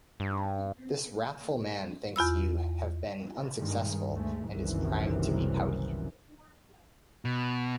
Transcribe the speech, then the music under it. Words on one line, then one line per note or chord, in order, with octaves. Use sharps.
This wrathful man thinks you have been unsuccessful, and is primed to be pouty.
G2
E2 F4 B5 E6
G2 D#3 G#3
D2 G#3 A3
F#1 C2 F#2 C3 D#3 E3
B2